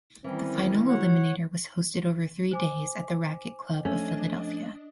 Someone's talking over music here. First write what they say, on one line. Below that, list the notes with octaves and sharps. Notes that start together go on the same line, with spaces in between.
The Final Eliminator was hosted over three days at the Racquet Club of Philadelphia.
D#3 E3 G3 C4 C#4
F#3 C#5 F#5
C5 G#5 D6
F2 A3 C#4 D4 D#5